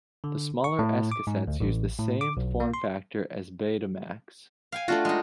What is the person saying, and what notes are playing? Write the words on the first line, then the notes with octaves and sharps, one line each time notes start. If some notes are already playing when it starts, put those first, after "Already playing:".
The smaller S cassettes use the same form factor as Betamax.
D3
C#6
A2
D6
G#2
D2
A1
A2
D6
B1
A#3
C6
F5 G5 G#5
A3 D4 F4 F#4
G#3 D#4